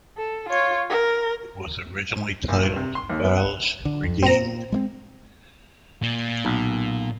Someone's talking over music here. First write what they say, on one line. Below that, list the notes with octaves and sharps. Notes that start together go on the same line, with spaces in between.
It was originally titled, "Valis Regained".
A4
F4 C#5
A#4
A#1
G2
C3
C6
D#2
B3
F#5
D3
F2
A#2 C4 A#5
G#3 A3 C4
A#2
B1